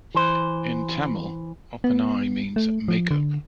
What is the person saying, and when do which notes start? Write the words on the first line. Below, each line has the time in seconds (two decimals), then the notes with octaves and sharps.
In Tamil, 'Oppanai' means make up.
0.15 E3 C5
1.84 B3
2.56 A3
2.88 F3
3.11 D3